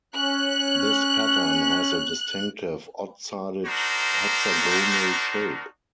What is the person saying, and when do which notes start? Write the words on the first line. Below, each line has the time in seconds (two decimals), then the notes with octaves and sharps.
This pattern has a distinctive odd-sided hexagonal shape.
0.16 C#4 F#6
3.66 D4 D#4 F#4 A#4 C5